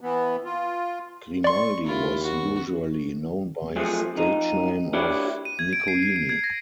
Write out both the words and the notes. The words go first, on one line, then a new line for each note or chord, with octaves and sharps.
Grimaldi was usually known by his stage name of Nicolini.
E3 B3
F4
D5 C6 C#6
D#2 E4 F4
F#4
F3 F#3 A3 C4 G#4
F2 D#4
D4 E4 F#4 G4 C#5 D5
D#7
G#6
D7
C7
C7
D7
G#6
A#6